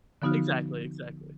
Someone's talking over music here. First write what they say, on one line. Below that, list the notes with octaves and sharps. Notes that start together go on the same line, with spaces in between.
Exactly, exactly.
D3 F3 B3 D#4 F#4 F6